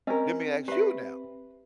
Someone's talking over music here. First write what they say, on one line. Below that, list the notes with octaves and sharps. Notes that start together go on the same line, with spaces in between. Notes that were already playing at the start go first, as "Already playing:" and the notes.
Let me ask you now.
C4 C#4 A#4 D#5
G4 B4 E5